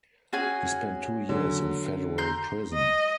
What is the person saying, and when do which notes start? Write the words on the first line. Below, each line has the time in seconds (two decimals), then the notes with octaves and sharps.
He spent two years in federal prison.
0.33 C#4 F#4 G#4 G#5
1.29 D3 F#3
2.18 A#5 C6 G6
2.74 D#5